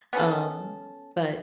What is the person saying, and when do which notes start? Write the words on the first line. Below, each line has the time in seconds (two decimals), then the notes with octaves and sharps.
Um, but
0.13 B3 C#4 G#4 A4